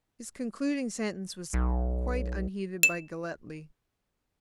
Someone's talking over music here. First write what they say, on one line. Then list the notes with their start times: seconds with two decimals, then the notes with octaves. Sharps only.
His concluding sentence was quite unheeded by Galletly.
1.53 B1
2.83 E7